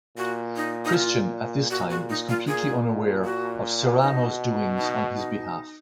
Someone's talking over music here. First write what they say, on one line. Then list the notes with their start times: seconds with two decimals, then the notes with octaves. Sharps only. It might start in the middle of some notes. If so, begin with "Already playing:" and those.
Christian, at this time, is completely unaware of Cyrano's doings on his behalf.
0.17 A#2 F#4
0.56 D#4
0.85 D#4
0.94 F4
1.70 A#2 F#4
1.90 F#4
2.10 D#4
2.29 F4
2.48 A#2 G#4
3.24 F#4
4.01 B2 D#4
4.79 D#4
5.17 D#4